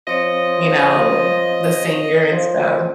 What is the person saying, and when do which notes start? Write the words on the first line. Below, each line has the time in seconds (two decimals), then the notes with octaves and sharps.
you know, the singer and stuff.
0.07 F3 C4 C#5 D#5
2.32 F3